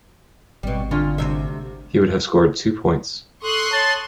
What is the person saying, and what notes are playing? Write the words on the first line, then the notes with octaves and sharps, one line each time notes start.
He would have scored two points.
G#1 B2 G3 C4
D3 D4 F4
D2 C3 E5
A4 C6 C#6 D#6 F#6
C#5 A5